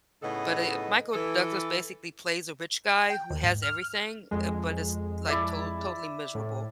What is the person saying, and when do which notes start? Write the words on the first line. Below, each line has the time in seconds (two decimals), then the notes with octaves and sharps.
but, eh, Michael Douglas basically plays a rich guy who has everything, eh but it's like to totally miserable,
0.22 A2 C#3 B3 D#4 A4 D#5
1.14 E3 A4
3.10 G5
3.30 D#2
3.44 G#2
3.62 F6
4.31 F2 G#3
5.28 E4 D5 E5
6.35 A2